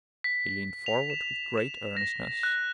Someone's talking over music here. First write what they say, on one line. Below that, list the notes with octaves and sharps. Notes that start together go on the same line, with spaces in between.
He leaned forward with great earnestness.
B6
F7
E7
E7
A#6
F#6